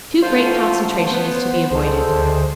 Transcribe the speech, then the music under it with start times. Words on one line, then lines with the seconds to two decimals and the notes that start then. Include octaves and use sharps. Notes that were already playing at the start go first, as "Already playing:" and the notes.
Too great concentration is to be avoided.
0.22 F#2 F3 A3 F4 C5
1.11 B3
1.71 C#2 D3 G#3 A4
2.10 D2